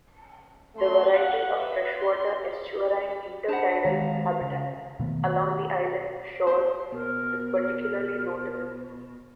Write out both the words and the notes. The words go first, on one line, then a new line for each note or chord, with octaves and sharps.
The variety of freshwater estuarine intertidal habitats along the island's shores is particularly notable.
A3 C6
F5 F#5
B4 E5
C6
D4 C5 F#5 A5 B5
D#3 G#3 F5 A#5
C#3
B2 D#3 A3 B3
C5
B2 A#4